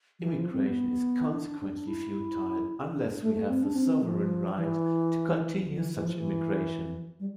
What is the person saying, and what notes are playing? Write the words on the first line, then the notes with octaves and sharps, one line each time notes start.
Immigration is consequently futile unless we have the sovereign right to continue such immigration.
F3
E3
F3
C4
B3
D4
D4
E4
D4
A3
A3
C4
D4
C4
F3
E3
D3
E3
E3
F3
E3
G3